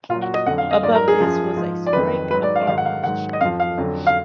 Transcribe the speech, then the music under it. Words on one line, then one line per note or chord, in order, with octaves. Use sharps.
Above this was a strake of armour.
A#2 F#3 F4
F#4
D#5
F2 D3 F#3 F#5
F5
D#5
G#2 F#3 D5
A#4
G#4
F#2 F3
G#2 F3
D5
F2 D#3 F#3 B4
G#2 F#3 B4
D5
F5
G#2 D#3 F#3 F5
F#5
F5
G#2 D#3 F#3 F#5
D#5
F2 F3 F5
F5
F2 D3 F#3
F5